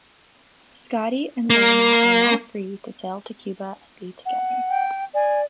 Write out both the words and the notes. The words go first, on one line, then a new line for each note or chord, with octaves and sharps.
Scotty and Lorna are now free to sail to Cuba and be together.
A#3
F#5
G5
D5 G#5